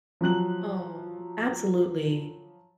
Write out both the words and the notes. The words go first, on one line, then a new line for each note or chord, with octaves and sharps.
Oh, absolutely.
F3 F#3 F#6 F#7